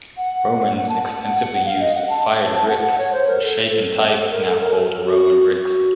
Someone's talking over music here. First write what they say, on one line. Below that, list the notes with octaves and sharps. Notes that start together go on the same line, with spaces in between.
Romans extensively used fired brick of a shape and type now called Roman bricks.
F#5
F#5
A5
F#5
F#5
F5
D#5
F#5
A5
A5
F#5
F#5
C#5
C5
A#4
A4
A#4
A4
A#4
A4
A4
F#4
F#4